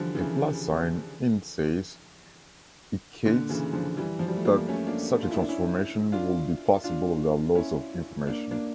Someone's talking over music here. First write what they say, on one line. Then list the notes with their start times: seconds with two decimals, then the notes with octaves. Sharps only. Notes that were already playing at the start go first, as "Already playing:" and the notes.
A plus sign indsays icates that such a transformation would be possible without loss of information.
Already playing: D3 E3 F3 G3
0.15 C#3 E3
3.25 A#2 D3
3.49 C#3 E3
3.73 D3 F3
3.97 E3 G3
4.19 F3
4.28 G3
4.37 A3
4.45 G3 A#3
4.68 A3 C#4
4.87 A#3 D4
5.23 F4
5.31 E4
5.40 D4
5.49 C#4 E4
6.12 D4 F4
6.84 D4 F4
7.55 C#4 E4
8.27 A#3 D4
8.51 A#3 D4